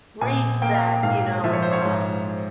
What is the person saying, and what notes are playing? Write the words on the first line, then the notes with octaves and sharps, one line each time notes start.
Reads that, you know, um
A#1 G#5
A#3 G5
F5
G5
G#2 F5
F3 E5
C#5
C5
C#5
G#2